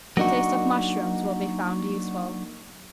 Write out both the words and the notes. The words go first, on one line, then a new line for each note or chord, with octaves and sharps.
A taste of mushrooms will be found useful.
F#3 A#3 D4 D#4 F#4